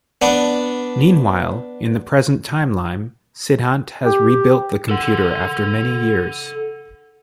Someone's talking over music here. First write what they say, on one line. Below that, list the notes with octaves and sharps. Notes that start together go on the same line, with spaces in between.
Meanwhile, in the present timeline, Siddhant has rebuilt the computer after many years.
B3 D4
G4
A4 F#5